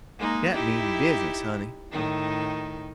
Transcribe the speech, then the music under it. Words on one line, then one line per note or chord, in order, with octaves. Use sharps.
Dat mean business, honey.
G#3 A#3 D#4
D#4 E4 G4
A2 D#3 D#4